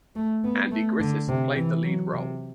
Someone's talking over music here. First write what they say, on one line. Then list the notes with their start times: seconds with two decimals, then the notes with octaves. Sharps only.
Andy Griffith played the lead role.
0.16 A3
0.44 B3
0.72 A3
1.00 D3
1.28 C3
1.56 E3
1.84 F#3
2.13 C3